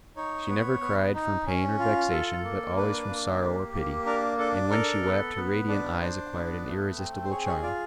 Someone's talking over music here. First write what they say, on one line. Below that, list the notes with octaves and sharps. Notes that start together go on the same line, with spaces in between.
She never cried from pain or vexation, but always from sorrow or pity, and when she wept her radiant eyes acquired an irresistible charm.
D#4 C#5
B3
B3
D#4
C#4
F4
A4
A#3
D4 B4
A#3
G4
A#3
D4 A#4
D4 A4
A4 A#4
B3
B3
D4
D4 C5
B3
A3
C4
C5
G#4 C#5
C#5
F4 D5